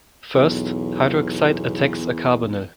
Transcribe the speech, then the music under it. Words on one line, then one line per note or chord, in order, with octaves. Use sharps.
First, hydroxide attacks a carbonyl.
B1 E2